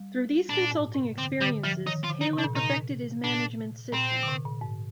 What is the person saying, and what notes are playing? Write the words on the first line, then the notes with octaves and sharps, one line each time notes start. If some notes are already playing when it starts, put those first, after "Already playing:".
Through these consulting experiences, Taylor perfected his management system.
Already playing: G3
A#2 D4
A#2
G#2
C3
D3 C4
D3 G3
F3 G3
D#3 D#4
F4
D3
D#4
C3
D4
A#2
C3 D#4
A#2 D4
A#2 C4
A#2
D3
C3
A#2
G#2